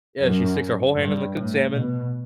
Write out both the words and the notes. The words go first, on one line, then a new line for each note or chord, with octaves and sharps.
yeah, she sticks her whole hand in the cooked salmon,
F#2
G2
A2
B2